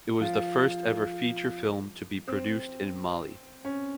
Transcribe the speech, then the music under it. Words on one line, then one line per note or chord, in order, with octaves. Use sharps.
It was the first ever feature film to be produced in Mali.
F3 F4
C4
C#4